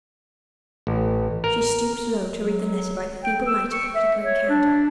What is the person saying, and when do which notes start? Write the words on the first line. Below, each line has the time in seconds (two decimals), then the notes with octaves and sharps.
She stooped low to read the letter by the feeble light of the flickering candle.
0.87 A1
1.44 A#4
2.33 F#3
3.24 G5
3.47 E6
3.72 C#6
3.95 E5
4.23 C#5
4.49 D4